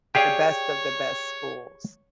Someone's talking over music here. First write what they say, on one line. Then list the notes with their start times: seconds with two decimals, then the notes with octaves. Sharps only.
The best of the best schools.
0.15 G4 G#4 C#5 D5 F5 G5